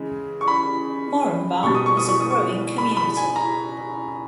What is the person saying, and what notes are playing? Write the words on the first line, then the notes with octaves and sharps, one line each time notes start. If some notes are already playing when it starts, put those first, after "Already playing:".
Moranbah is a growing community.
Already playing: C#3 E3 G#3
C#6
B5
B2 G3 C#6
D#6
C#6
D#6
C#6
D#6
C#6
B5
B5
G#5
A#5